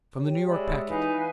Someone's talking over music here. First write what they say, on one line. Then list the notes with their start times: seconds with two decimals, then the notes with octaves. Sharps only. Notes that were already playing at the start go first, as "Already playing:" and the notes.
From the New York Packet.
0.16 G4 C#5
0.48 G#3 D5 E5 B5
0.89 E3 D#4 E4 B4 F5 G#5